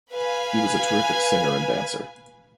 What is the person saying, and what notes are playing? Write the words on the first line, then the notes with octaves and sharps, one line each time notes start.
He was a terrific singer and dancer.
B4 F5 G#5